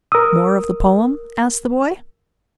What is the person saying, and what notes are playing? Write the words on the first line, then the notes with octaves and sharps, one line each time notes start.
"More of the poem?" asked the boy.
A#4 D#6 E6